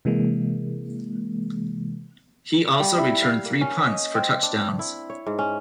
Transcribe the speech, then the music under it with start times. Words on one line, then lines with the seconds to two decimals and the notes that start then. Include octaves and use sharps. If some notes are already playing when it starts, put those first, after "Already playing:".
He also returned three punts for touchdowns.
0.05 C3 E3 G#3 A#3
2.80 G3
2.98 E4
3.22 F5
3.46 A#3
3.61 C#4
3.84 D#5
4.15 C4
4.43 D4
4.79 E4
5.10 C#5
5.26 G#2
5.39 C#4